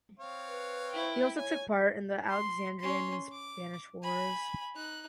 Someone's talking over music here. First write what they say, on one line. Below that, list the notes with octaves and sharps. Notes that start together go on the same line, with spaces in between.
He also took part in the Alexandrian and Spanish wars.
C4 C#5 F5
B4
E4 G5
C#5 G#5
C6
C#4 C6
D6
G#5 B5
D#4 F#6